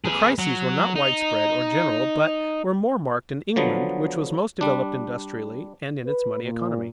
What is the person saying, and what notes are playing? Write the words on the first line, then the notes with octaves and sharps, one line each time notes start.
The crises were not widespread or general, but were more marked in England, which was most developed industrially and in its money economy.
G#4 B4
F#3
D#4
D3 F3 F#3 B3
G3 D4
B4
A#2